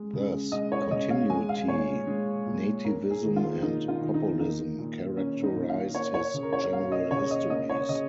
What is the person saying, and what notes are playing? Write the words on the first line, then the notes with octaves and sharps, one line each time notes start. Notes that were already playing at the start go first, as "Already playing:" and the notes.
Thus continuity, nativism, and populism characterized his general histories.
Already playing: G#3
C#3
G#3 D#5
C#5
C#3 D#5
F5
G#3 G#5
F5
A#2 C#5
G#3
A#2
A#3 A#4
G#4
D#3
F4
A#3 D#4
F4
D#3
D#4
A#3 D#4
A#2
A#3 C#4
D#4
A#2
F5
A#3 C#5
C#5
C#3
A#4
C#5
A#3 F5
D#5
C#3 C#5
D#5
A#3 D#5
C#5
C#3 D#5